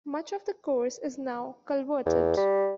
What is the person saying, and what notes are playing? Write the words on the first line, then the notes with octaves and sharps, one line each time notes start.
Much of the course is now culverted.
E2
G3